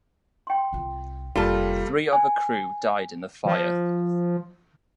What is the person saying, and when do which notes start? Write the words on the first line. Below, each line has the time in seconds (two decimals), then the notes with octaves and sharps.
Three of her crew died in the fire.
0.47 G5 C6
0.73 C2 F4
1.36 F1 G3 A#3 F4 A4 A5
2.13 G#5
3.45 F3